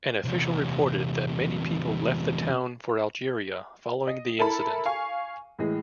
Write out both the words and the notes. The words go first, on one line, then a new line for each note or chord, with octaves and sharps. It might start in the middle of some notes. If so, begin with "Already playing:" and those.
An official reported that many people left the town for Algeria following the incident.
E2 C3
D#5
E4 A4 A#4 A5 B5
F5 G#5 C#6
A2 E3 G#3